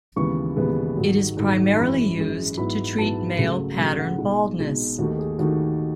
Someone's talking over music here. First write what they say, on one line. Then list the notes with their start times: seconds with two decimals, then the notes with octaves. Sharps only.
It is primarily used to treat male pattern baldness.
0.16 D#2 C#3 E3 G#3 B3 C#6
0.56 D#2 C#3 E3 G#3 B3
0.97 G#2 D#3 F#3
1.37 G#2 D#3 F#3
1.77 F#2 E3 G#3 B5
2.17 F#2 E3 G#3
2.57 G#2 F#3 B3 E4 B5
2.98 G#2 F#3 B3 E4 A5
3.38 C#2 C#3 F#3 A3
3.78 C#2 C#3 F#3 A3
3.98 F#5
4.18 B2 G#3 D#4
4.58 B2 G#3 D#4
4.98 D#2 D#3 A3 D#4 F#4
5.18 G#4
5.39 D#2 D#3 A3 D#4 F#4